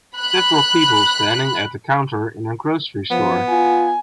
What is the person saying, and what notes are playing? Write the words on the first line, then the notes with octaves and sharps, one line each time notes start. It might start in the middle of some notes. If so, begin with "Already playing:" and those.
Several people standing at a counter in a grocery store.
B5 F#6
F3 B3
F4 G#5